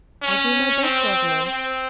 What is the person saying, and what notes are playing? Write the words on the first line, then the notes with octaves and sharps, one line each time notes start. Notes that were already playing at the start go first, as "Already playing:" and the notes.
'I'll do my best, Rosamond.
C#4
C4
C4